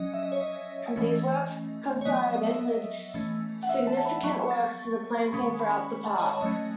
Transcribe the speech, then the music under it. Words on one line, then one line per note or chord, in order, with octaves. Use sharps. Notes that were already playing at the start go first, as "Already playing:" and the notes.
These works coincided with significant works to the planting throughout the park.
Already playing: F#3 C#4 D#5
E5
D#5
C#5
D#5
E3 A3 C#4
C#5
F#3 B3 D#5
D#5
D#5
E5
E3 A3 C#4
F#5
E5
A5
A5
B5
F#3 B3 C#6
A6
B5
D#3 G#3 C#4 C#6
B5
A5
D#5
C#5
F#3 A3 C#4 D#5